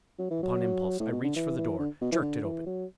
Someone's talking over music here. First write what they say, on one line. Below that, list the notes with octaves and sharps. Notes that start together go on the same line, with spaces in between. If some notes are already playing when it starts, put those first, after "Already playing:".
Upon impulse I reached for the door, jerked it open.
F#3
E3
F#3
A2
B2
D3
E3
E3
D3
B2
E3
D3
E3
F#3